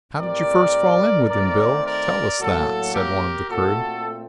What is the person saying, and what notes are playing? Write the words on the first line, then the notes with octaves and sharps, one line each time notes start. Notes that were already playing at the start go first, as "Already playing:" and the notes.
"How did you first fall in with him, Bill?--Tell us that," said one of the crew.
A2 G3 C4 A#4 D5
D#3 A3 C4 A#4 D5
A#4 D5
A2 F#3 A#3 F#4 A4
G4 A#4
A#2 A3 C4 F#4 A4